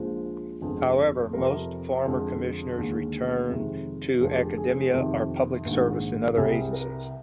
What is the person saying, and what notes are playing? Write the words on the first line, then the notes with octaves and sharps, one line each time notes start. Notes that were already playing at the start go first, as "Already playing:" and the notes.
However, most former commissioners return to academia or public service in other agencies.
Already playing: A#1 A#2 F3 G#3 C5
G1 F2 D3 G#3
F2 C3 G3 A#4
F2 D3 G#3
D#2 D3 G#3
F2 C3 D#3 G#3
F1 F2 D3 G3 G#4
G4
G#4
G#4
F2 C3 D#3 G4
A#1 G#2 D#3 G#3
C2 C3 G3 G#4
A#4